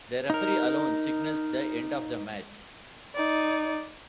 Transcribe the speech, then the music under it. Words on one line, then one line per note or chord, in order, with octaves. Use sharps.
The referee alone signals the end of the match.
D#4 A#4
D#4 D5